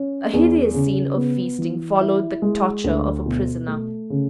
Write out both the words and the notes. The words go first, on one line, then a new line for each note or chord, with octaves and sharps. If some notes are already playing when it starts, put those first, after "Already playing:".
A hideous scene of feasting followed the torture of a prisoner.
Already playing: C#4
E2
C#3
B3
E3
E4
G#3
D2
B2
A3
C#3